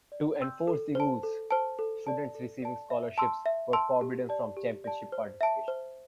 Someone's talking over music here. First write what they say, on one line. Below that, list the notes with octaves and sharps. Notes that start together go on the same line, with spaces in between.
To enforce the rules, students receiving scholarships were forbidden from championship participation.
D5
G5 C6 E6 G6
A4
C5 A5
A4
C5 A5
A4
D5 A5
A4
D5 A5
E5
A5 C6 E6
E5
A5 C6 E6
G4
D5 A5
G4
D5 A5
C5
E5 A5
C5